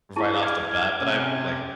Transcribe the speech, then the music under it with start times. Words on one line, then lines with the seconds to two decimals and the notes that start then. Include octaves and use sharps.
right off the bat that I've, like,
0.16 E4 G#4 A5
0.43 G5 D6 F6 G#6
1.02 C3 C4 C#4